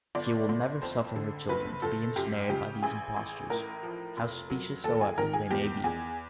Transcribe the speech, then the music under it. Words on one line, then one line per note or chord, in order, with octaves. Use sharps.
She will never suffer her children to be ensnared by these impostures, how specious soever they may be.
G1 D5
G1
F2 C5
D3
F#1 B4
F#1 A4
F#2 G4
C#3 G4
A1 G#4
A1
A2 A#4
F3
F1
F#3
D#2 A4
G#4
D#3 A#4
G#4
E2 G4
E2 G#4